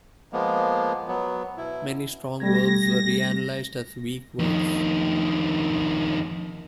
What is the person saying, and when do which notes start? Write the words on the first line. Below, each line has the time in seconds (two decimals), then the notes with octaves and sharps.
Many strong verbs were reanalysed as weak verbs.
0.33 F3 G#3 A#3 B3
1.08 F#3 B3
1.57 B2 E4
2.40 G3 A3 G#6 A#6
4.39 F2 D#3